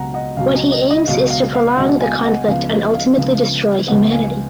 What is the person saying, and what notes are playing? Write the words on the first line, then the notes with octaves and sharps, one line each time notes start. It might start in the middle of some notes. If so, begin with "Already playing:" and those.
What he aims is to prolong the conflict and ultimately destroy humanity.
Already playing: C#2 B2 F#3 F#5 A#5
D#5 F#5
C#2 B2 F#3 F5
D#5
D#5
D#5
C#2 B2 F#3 F5
F5
F5
C#2 B2 F#3 D#5 F#5
F5 G#5
D#5 F#5
C#2 C#3 F3 B3 F5
D#5
F5
C#2 C#3 F3 B3
C#2 C#3 F3 B3 D#5 F#5
F5 G#5